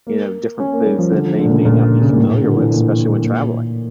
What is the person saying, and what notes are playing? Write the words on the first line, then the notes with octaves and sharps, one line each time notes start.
you know, different foods that they may not be familiar with, especially when traveling?
A#3
C#4
A#3
G3
F3
D3
F3
D3
A#2
C#3
A#2
C#3
A#2
A2
A#2
D3
E3
A#2
A#2